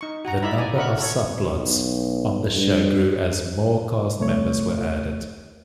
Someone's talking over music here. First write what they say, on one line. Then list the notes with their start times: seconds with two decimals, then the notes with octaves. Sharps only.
The number of subplots on the show grew as more cast members were added.
0.01 D#4 C#6
0.25 F#4 F#5 A#5
0.42 D#4 E4 D5 E5 A#5 B5
0.57 D5 G#5 A#5
0.76 F#4 A#4 B5 C#6
0.98 A4 C#5
1.56 B1
2.54 G2
4.20 C2 A3 C#5